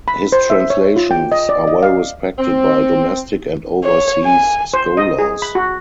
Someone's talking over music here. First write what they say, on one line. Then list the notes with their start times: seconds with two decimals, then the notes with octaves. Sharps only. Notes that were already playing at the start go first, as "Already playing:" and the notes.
His translations are well respected by domestic and overseas scholars.
0.08 B5
0.32 C5
0.50 E5
0.70 C#5
0.96 F4
1.11 G5
1.32 D#5
1.49 D5
1.67 D#5
1.83 F5
2.38 C4
3.84 C#5
4.24 G#5
4.74 C5
4.97 D#5
5.18 G#4
5.42 B5
5.55 F#4